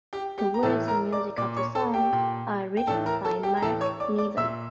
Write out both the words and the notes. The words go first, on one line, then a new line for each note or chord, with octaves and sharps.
The words and music of the song are written by Mark Nevin.
G4 G5
G4 G5
A#5
A2 E3 A4 A5
A#4 A#5
D5 D6
A#2 D5 D6
C#5 C#6
A4 A5
G4 G5
A#2
G5
A2 E3 A4 A5
A#4 A#5
A4 A5
G4 G5
A#5
A2 E3 A4 A5
C#5 C#6
D5 D6
D5 D6
A#2 E5 E6